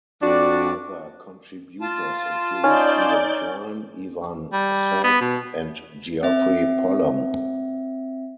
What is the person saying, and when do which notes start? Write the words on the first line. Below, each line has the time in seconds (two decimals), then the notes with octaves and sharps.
Other contributors include Ewan Klein, Ivan Sag, and Geoffrey Pullum.
0.22 F2 D4 F#4 D5
1.81 F4 A5
2.64 C#4 D#4 D5 G6
4.53 G3
5.04 B3
5.21 B2
6.23 C4 E5